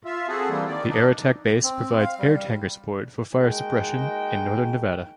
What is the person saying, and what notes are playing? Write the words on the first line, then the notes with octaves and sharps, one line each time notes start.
The Air Attack Base provides air tanker support for fire suppression in northern Nevada.
F4 E5
C4 F#4 G#4 A4
E3 G3 A#3 C4
D#3 D5
D4 D#4
C4
F5
G3
G#3 A#3 D#4 F#4 G5